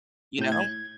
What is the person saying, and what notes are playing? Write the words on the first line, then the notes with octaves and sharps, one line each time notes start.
you know?
A2 G6
G#6